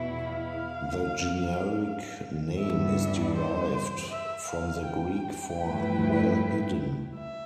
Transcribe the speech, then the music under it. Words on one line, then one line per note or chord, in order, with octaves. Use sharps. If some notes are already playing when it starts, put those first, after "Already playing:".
The generic name is derived from the Greek for "well hidden".
Already playing: E2 B2 B3 E4
F5
G2 E3 G3 B3 D4 E5
C5
E5
F5
G5
G2 F3 A3 E4 B4
E5